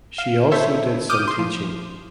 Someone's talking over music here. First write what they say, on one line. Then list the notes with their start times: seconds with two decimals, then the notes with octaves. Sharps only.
She also did some teaching.
0.18 F5
0.51 A4 C5 C#5 E5
1.10 D6 D#6 F6 G6 D#7
1.28 C6
1.39 F3